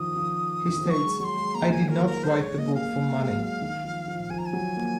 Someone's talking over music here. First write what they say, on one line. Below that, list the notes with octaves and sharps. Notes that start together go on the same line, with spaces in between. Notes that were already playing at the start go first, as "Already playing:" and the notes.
He states, I did not write the book for money...
Already playing: D#3 F3 D#6
F3
D#3
F3
F#3 D#6
C#6
G#3
F#3 C#6
C6
G#3
A#3 A#5
D#3 G#5
F3
A#4
F#3
A#4
G#3 C5
C#5
A#3 D#5
F5
A#3
G#3
F#3
D#3
F3
F3
F3 G#5
A#5
G#5
F#3
A#3